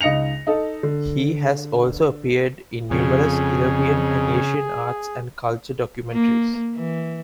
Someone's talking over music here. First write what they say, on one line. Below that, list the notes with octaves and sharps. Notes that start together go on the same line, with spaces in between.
He has also appeared in numerous European and Asian arts and culture documentaries.
C#2 D#4 A#6 C#7 F7
D#4 A4
D3
F2 C#3 G#4
A#3
E3